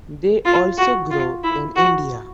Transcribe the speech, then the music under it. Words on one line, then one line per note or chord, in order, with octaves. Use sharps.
They also grow in India.
F4
F#4
F4
E4
F#4